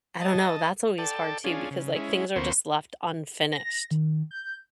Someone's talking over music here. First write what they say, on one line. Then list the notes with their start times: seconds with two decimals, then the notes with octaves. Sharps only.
I don't know. That's always hard too because like things are just left unfinished
0.21 D#5 A5
0.98 A4 D5 G5 A5
1.44 C#4 D4 F4 G#4
1.71 C#3
1.96 G#3 C#4 E4
2.36 D2 A#3 C4 B4 C5 C#6
3.52 A#6
3.91 D#3
4.31 G6